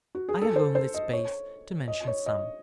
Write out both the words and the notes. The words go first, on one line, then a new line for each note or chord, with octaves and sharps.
I have only space to mention some.
F#4
G#4
A4
C5
C5
D#5
C#5
D#5
C#5
D#5